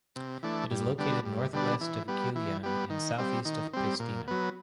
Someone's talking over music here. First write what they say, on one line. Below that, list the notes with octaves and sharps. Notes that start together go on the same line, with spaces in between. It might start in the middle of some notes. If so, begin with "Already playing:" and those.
It is located northwest of Gjilan and southeast of Pristina.
C3
E3 A3 D4
G2
D3 G3 B3 D4
G2
D3 G3 B3 D4
E3
G3 B3
E3
G3 B3
D#3
G3 C4
D#3
G3 C4
A#2
F#3 B3